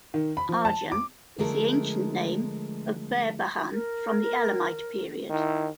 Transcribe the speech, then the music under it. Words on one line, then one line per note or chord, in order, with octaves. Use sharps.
Arjan is the ancient name of Behbahan from the Elamite period.
D#3
B5
F3
A5
D6
D3 F3 G#3 A3 A#4
A#4
D#3 E4